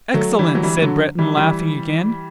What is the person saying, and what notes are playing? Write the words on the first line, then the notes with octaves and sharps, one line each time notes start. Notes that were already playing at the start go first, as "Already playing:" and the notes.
"Excellent!" said Breton, laughing again.
F#3 A3
E3 G3
F#3
E3 G3
E3
D3 F#3
E3 G3
E3 G3